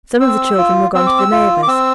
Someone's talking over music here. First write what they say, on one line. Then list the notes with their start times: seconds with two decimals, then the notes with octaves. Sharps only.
Some of the children were gone to the neighbours.
0.20 C4 E6
0.58 F4
0.95 C4 E6
1.07 D6
1.18 E6
1.32 F4
1.63 D6
1.68 C4 E6